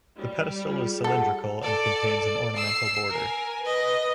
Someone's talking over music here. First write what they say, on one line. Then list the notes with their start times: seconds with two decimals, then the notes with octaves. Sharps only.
The pedestal is cylindrical and contains an ornamental border.
0.17 G3
0.65 F4 G#4
1.04 A4 F#5
1.63 A4 D5
2.22 D5
2.56 E6 C7
3.10 A#4 G#5
3.62 B4 D#5